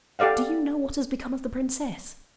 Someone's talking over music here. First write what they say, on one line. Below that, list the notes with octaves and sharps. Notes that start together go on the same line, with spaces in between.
Do you know what has become of the princess?'
G4 A4 D5 F5 F#5